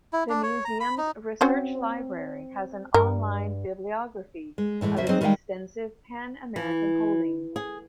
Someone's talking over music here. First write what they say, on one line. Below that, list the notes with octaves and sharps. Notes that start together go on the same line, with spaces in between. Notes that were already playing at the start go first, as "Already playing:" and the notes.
The Museum's Research Library has an online bibliography of its extensive Pan-American holdings.
E4
D4
C#5
A#5
B5
D#4
C4 C#4 F#4 C5
G2 A#4
G#3
A2 E3 F3 G#3
D#2 C#3 F#3 C5 E5
F#3 C4 D#4 G#4 C5 D#5
D#3 G3 G#3 D#4 F5 G5
E3
G#4